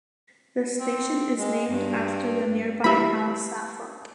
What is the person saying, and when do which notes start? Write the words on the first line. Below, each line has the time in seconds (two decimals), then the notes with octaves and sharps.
The station is named after the nearby Al Safa.
0.79 C4
1.38 G#3
1.68 G2
2.84 E3 G3 E5 B5